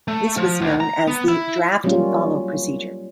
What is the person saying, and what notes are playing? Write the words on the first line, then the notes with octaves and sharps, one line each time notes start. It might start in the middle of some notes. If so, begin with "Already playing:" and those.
This was known as the "draft-and-follow" procedure.
A3
F3
D2
A#5
B3
E4
F#3 G3 A#3 C#4 F4